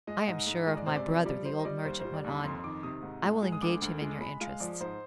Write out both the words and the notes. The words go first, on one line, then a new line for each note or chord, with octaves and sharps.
"I am sure of my brother," the old merchant went on; "I will engage him in your interests."
G#3 D#5
G#2
G#2
G#3 D#5
D5
C3 C5
D5
F3
G3 D5
G3 C5
D#5
G3 D5
D#2 C5
G3 C5
D5
D#2 B5
F2 C6
C6
D#3 D6
C3 D#6
G#2
G#3
G#3
D#6
D2 D6
D2
G#3
G#3 B5
G#3 F5
F3 D5
G#2 C5